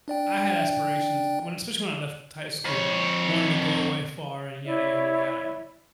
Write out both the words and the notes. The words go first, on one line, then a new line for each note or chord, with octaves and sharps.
I had aspirations when especially when I left high school, wanted to go away far and yada yada yada;
D4 D5 G5
F2 C#5
E4 C#5 D5 E5